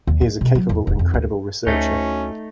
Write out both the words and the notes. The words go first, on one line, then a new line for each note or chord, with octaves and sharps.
He is a capable and credible researcher.
D#2
G#3
B2
F#3
E2
E1
F2
D2
D2 A3 C#4 D#4